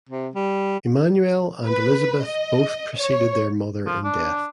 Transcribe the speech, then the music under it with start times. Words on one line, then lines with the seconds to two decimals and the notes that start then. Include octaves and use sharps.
Emmanuel and Elisabeth both preceded their mother in death.
0.09 C3
0.35 G3
1.65 B4
2.23 D#5
2.98 C#5
3.86 F3
4.04 D4